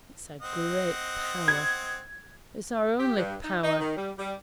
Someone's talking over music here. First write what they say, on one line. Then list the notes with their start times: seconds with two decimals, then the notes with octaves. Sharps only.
It's a great power: it's our only power.
0.42 C4 D#5 F#5
1.48 G#6
3.00 G4
3.17 G2
3.44 D#4
3.63 D#4
3.79 D#3
3.97 G3
4.18 G3